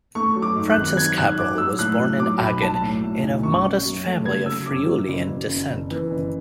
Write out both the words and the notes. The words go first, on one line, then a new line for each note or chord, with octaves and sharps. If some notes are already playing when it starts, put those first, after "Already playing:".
Francis Cabrel was born in Agen into a modest family of Friulian descent.
A3 C#6
F#3
D6
G#2
F#6
G#1
F#3 G#6
G#2 F#6
G#2 D6
F#3 E6
A2 F#6
F#3
F#3 D6
B1 B5
F#3 A5
A2
A2
B1
F#2 C#6
F#2
F#3
A3
C#3 G#6
F#3 E6
F#2 D6
F#3
F#1
F#1
F#1
F#1
E3
F#1